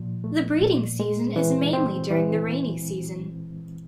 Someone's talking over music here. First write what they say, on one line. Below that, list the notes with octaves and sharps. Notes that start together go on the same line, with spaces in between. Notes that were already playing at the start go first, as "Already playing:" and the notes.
The breeding season is mainly during the rainy season.
Already playing: A#2 F3
A3
A#2
G#3
E3
C4
E3